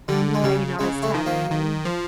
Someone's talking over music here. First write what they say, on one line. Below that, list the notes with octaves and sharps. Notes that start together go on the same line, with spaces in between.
Mm, maybe not as taboo.
D3 G3
G#3
C#3 G3
C#3 G#3
A3
D#3
A#3
D#3
F3